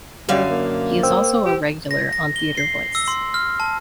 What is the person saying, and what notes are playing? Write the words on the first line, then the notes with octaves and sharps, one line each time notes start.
He is also a regular on "TheatreVoice".
F#2 D3 G3 F5
A#3
C5 G5 E6
G4
A#6
A#6
G7
C7
E6
C6
F6
A5